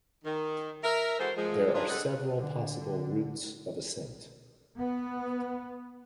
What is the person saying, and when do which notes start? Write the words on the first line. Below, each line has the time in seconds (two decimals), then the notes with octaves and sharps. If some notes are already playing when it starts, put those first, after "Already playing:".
There are several possible routes of ascent.
0.24 D#3
0.84 A#4 E5
1.19 E3 G#3 F#4 A4 C5
1.36 F3 G#3
1.74 D4 D#4 F4 G#4 B4 D#5
1.89 C#3 G3 C4 A4 D#5 F#5
2.38 D3
4.78 B3